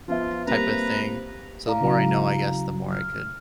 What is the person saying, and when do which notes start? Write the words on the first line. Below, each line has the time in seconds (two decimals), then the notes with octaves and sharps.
type of thing. So the more I know, I guess, the more I could
0.08 F3 B3 F4 E5
0.47 G3 A#3 C4 B4 A#5
1.67 E4 D5 F5 A#5
1.81 C#3 F#3
2.92 F6